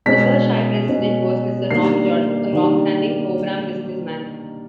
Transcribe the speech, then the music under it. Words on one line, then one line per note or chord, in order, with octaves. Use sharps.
The first Shire President was Mr Norm Jordan, a long-standing Cobram business man.
B2 G#3 C#4 B6
B2 G#3 C#4
D#3 G3 A#3 D4 C7
D#3 G3 A#3 D4